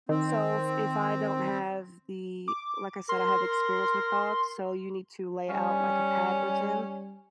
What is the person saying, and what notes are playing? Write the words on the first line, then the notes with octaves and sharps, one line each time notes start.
So, if if I don't have the like I said, I have experience with dogs, so you need to lay out, like, a pad with him,
D#3 C4
D6
A#4 C6
G3 C#4 G#5